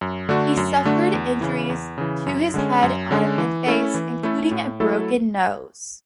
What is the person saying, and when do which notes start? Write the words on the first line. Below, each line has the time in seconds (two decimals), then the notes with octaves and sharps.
He suffered injuries to his head, arm and face, including a broken nose.
0.01 F#2
0.29 D3 A3 D4 F#4
0.57 F#2
0.85 D3 A3 D4 F#4
1.14 E2
1.41 C#3 E3
1.70 E2
1.98 C#3 E3
2.26 F#2
2.54 D3 G#3 C#4
2.83 F#2
3.11 D3 G#3 C#4
3.38 E3
3.67 A3 C#4 E4 A4
3.94 E3
4.23 A3 C#4 E4 A4
4.51 A2
4.80 F#3 A3 E4 A4